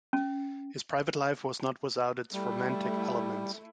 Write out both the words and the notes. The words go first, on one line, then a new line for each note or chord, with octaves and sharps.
His private life was not without its romantic elements.
C#4
G3 A3 E4